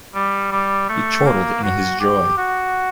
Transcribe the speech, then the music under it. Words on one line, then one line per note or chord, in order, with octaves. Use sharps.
He chortled in his joy.
G3
G3
A3
A#3
F#4
G4
F#4